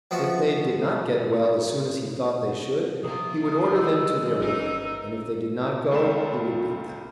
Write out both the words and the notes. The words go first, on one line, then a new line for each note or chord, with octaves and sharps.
If they did not get well as soon as he thought they should, he would order them to their work, and if they did not go he would beat them.
F3 B3 F#4 E5
C3 F3 A#3 F4 D#6
F#3 G#3 E6
G1 E3 C#4 D#4 A#4
C#2 A3 F4 B5 E7